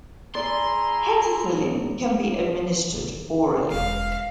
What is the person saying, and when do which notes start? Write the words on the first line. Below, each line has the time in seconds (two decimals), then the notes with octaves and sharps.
Hetacillin can be administered orally.
0.35 E4 G#4 D5 A#5 C6
2.93 D#3
3.70 E1 F5